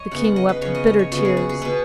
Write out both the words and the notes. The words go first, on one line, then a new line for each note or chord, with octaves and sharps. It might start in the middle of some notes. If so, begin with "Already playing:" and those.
The King wept bitter tears.
Already playing: C#5 D#5
C#3 B3 F#5
F#5
D#5
B4
C#3 B3 C#5
D#5
D#5
C#5
C#3 B3 F#4
G#4
F#4
G#4
B2 B3 B4